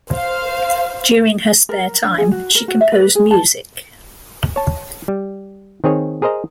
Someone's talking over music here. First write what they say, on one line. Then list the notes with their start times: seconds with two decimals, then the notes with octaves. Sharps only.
During her spare time, she composed music.
0.11 C5 F5
1.69 A#4
2.04 D4
2.18 G#4
2.31 F#4
2.55 A#4
2.68 F#4
2.81 E5
2.92 B4
3.15 G#4
3.31 A5
4.56 C#5 A5
5.08 G3
5.84 D#3 C4 G#4 C#5
6.22 G#4 A#4 C5 D#5 A#5